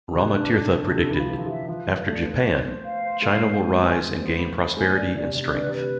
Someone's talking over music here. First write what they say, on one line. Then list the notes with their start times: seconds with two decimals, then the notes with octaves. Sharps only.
Rama Tirtha predicted: After Japan, China will rise and gain prosperity and strength.
0.14 C3 B4
0.33 D4
0.52 D4
0.71 D4
0.91 C3 A4
1.00 D3
1.10 E3 B5
1.19 F3
1.29 E3 A4
1.38 F3
1.46 E3 E5
1.68 F3 B4
1.87 F3 B4
2.07 A3 D5
2.26 B3 B4
2.45 C5
2.64 C5
2.84 F5
3.03 C5
3.22 A3 F5
3.35 G#3
3.41 C5
3.48 B3
3.61 B3 G#5
3.70 C4
3.80 B3 C5
3.90 G#3
3.99 C4 C5
4.13 B3
4.19 C5
4.25 B3
4.37 B5
4.58 C5
4.77 A3 G#5
4.89 B3
4.95 D5
5.02 D3
5.16 C3 D5
5.35 C3 D5
5.53 D3 B4
5.67 C3
5.73 B4
5.80 C3